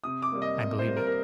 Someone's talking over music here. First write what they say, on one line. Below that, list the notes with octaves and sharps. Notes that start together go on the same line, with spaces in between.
I believe it.
C3 D#6
D6
G3 A#3
D#5
C3
C5
G3 A#3
A#4
A#4